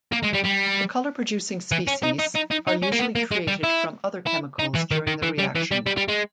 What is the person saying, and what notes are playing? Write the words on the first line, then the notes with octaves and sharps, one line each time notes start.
The color-producing species are usually created from other chemicals during the reaction.
A#3
G#3
G3
G3
E3
C#4
D#4
D#4
D#4
D#4
D#4
C#4
A#3
B3
A#3
G#3
G3
E4
E4
D#4
E3
D#3
D#3
E3
G3
E3
G3
G3
G3
G#3